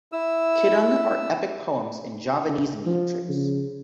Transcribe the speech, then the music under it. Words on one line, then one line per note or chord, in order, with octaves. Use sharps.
Kidung are epic poems in Javanese metres.
E4 E6
F3
C#3